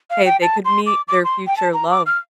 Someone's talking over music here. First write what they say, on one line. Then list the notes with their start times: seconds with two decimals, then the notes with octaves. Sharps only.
Hey, they could meet their future love
0.10 F5
0.25 G5
0.42 A5
0.65 C6
0.86 D6
1.08 D6
1.24 C6
1.47 G5
1.57 A5
1.73 A#5
1.91 D6
2.06 F6